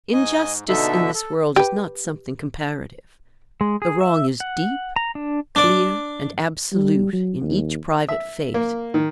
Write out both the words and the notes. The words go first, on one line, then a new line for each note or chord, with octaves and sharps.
Injustice in this world is not something comparative; the wrong is deep, clear, and absolute in each private fate.
G#2 D#5 G#5
B2 D3 D#4 A4 E5
A4
G4 B4
G#3
G#4
E5
F#5
A#5
D4
D4 D5
G3
F#3
D#2
E5
A#3
D#3